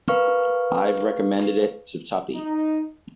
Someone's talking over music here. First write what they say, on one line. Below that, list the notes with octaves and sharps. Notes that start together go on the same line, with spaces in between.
I've recommended it to Tuppy.
A#4 B4 F5 C#6 F6
D#4